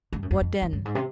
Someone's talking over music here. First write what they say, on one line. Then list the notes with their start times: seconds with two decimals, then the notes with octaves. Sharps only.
What then?
0.13 G2
0.23 F#2
0.31 F2
0.41 F2
0.62 F#2
0.73 G2
0.85 G#2
0.95 C3